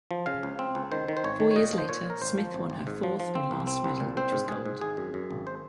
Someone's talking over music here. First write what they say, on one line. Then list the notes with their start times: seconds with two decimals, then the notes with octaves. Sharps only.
Four years later Smith won her fourth and last medal which was gold.
0.11 F3
0.26 C#3 F5
0.43 C#2
0.59 C4
0.75 C#2
0.92 D#3 C5
1.08 D#3
1.17 C5
1.24 G#1 C#5
1.40 D#3
1.51 C#5
1.56 A#2 D#5
1.73 F3
1.78 C5
1.89 A#2 C#5
2.05 A#2
2.10 A#4
2.22 G#1 C5
2.38 F3
2.54 G#1
2.70 G#1
2.87 G#2
3.03 F3
3.20 F3
3.35 C4
3.51 C2
3.67 C4
3.84 C2
4.00 A#2
4.17 C4 C5
4.32 G#2
4.48 G#2 G#4
4.65 G#2
4.81 G#1 G#4
4.97 F#2
5.14 F#2
5.31 G#1
5.47 C5